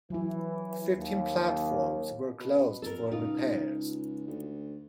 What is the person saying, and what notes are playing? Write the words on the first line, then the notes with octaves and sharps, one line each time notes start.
Fifteen platforms were closed for repairs.
E3 F#3 E4
D#2
B2
F2 A4 A#4
C#2 D#4 F4
D2